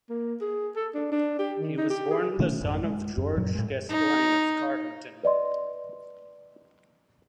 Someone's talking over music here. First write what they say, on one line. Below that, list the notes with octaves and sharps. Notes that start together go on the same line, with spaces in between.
He was born the son of George Gascoigne of Cardington.
A#3
G#4
A4
D4
D4
G4
D#3
D#4
G4
G#4
B2 D#3 A3 C#4
A1 F#2
G#3
F#2
F#2 A#2 F#3
A2 G#3
D#4
B4 D5 D#5 C6